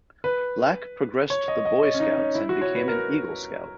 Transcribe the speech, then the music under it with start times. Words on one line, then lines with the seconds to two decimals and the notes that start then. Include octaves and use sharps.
Black progressed the Boy Scouts and became an Eagle Scout.
0.24 B4
1.30 C#5
1.48 D#5
1.65 D#5
1.83 C#5
1.94 C#4
2.00 D#4
2.18 C#4
2.35 E4
2.49 F#4
2.61 C#5
2.75 B4
2.88 A#4